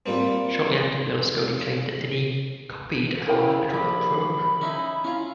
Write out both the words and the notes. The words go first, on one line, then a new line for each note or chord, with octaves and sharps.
Shortly after Berlusconi claimed that Dini "copied our electoral programme".
A#2 G3 A#3 C4
C#3 E4 A#4 C5 G5
A#1 G4 B5
C#4 D#4 E4
C#4 E4 F4